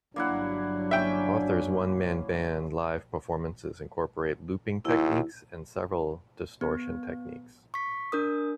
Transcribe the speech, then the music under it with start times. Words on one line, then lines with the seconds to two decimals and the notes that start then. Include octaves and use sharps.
Arthur's one man band live performances incorporate looping techniques and several distortion techniques.
0.16 G1 F#3 A#3 D4 E4 F#5
0.91 A#3 C#4 E5 G5
4.85 D#2 E4
6.61 B3
7.74 C#6 B6
8.12 D4 A#4 D#6